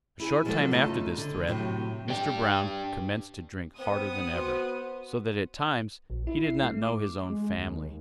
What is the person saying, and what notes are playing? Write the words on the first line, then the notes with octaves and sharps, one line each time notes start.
A short time after this threat Mr. Brown commenced to drink harder than ever, so that at times he did not know his own family.
E4 G#4 G#5
F3 F#3 G#3 D4 F4 A4
C#3 A3 D#4 F4 A5
D3
A2 C3 F3 F#3
D4 G4
B3 C4 D#6
F#4 C5
A#1
E4
C7
A3
D6
G#3
D#2